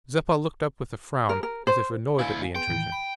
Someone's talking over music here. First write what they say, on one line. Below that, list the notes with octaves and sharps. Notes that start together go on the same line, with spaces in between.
Zeppa looked up with a frown, as if annoyed at the intrusion.
A#4
A#4
C5
D2 E4 F5 G#5
B3 G#4 G5 C6
A2 D#3 E3
B5